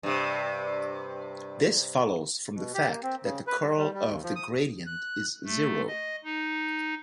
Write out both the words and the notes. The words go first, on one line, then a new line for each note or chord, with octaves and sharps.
This follows from the fact that the curl of the gradient is zero.
G2 C3
B2
G4
A#3
C4
C#3
B4
G3
G3
G3
D#2
F3
D#6
F#6
A3
D#5
D#4